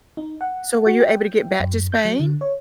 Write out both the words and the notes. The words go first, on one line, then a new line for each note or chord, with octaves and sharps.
So were you able to get back to Spain?
D#4
F#5
F#4
G5
F#2
G6
F#3
D3
C#5